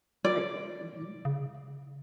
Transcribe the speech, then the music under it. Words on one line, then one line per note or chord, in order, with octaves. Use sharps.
Right. Mhm.
D5
C#3